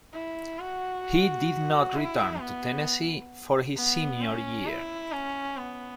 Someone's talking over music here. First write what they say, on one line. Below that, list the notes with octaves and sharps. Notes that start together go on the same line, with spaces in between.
He did not return to Tennessee for his senior year.
E4
F#4
E4
B3
B3
C#4
E4
C#4
B3